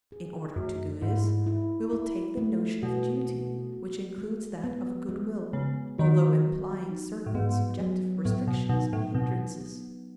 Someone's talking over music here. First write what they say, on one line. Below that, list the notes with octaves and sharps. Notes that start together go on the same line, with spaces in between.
In order to do this, we will take the notion of duty, which includes that of a good will, although implying certain subjective restrictions and hindrances.
G#4
F#2 A3
G#2 E4
E4
E4
A3
B2 F#4
B3
F#4
G#3
B3
G#3
C#3 B3
D#3 F#4
F#3
D#4
A2
G#2 B3
F#3
A2 B3
B2
B2 D#4
A2
B2 F#3
B3